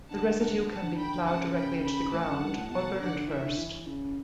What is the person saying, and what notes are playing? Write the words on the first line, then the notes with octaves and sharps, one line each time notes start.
The residue can be ploughed directly into the ground, or burned first.
D3 F#5 A5
D3 F#5 A5
F#5 A5
D3
D3 G5 B5
C#3 F#5 A5
G5 B5
G5 B5
A2 F#5 A5
F#2
G2
A2
B2 F#5 A5
D3 D5 F#5
E3 C#5 E5
D3
E3
C#3